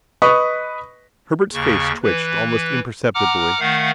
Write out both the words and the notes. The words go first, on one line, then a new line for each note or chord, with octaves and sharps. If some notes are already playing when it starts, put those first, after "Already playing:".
Herbert's face twitched almost imperceptibly.
B4 D#5 C#6 D#6
D#2 C#3 C#6
E3 B4
F#5 A#5 D6 F6
D#3 A3 F5 F#5